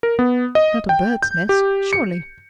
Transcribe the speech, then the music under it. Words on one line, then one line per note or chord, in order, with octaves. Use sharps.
Not a bird's nest, surely.'
A#4
B3
D#5
G5
G6
G4
C#7